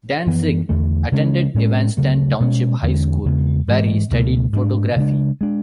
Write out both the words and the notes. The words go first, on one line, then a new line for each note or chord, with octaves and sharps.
Dantzig attended Evanston Township High School where he studied photography.
F#2 E3 B3
E2 D3 A3
C#3 G#3 C#4
A2 G#3 C#4
D2 C#3 F#3 A3
B2 G#3 C#4
E2 D3 G#3 C#4
E2 C#3 G#3 B3
G#2 E3 G#3
C#2 B2 A3
G#2 G#3 D4
C#3 G#3 D4
G#3 D4